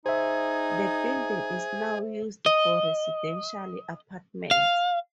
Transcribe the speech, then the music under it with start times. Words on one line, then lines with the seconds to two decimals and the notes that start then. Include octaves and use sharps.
The building is now used for residential apartments.
0.06 D#4 G#4 C5 E5
2.46 D#5
4.51 F5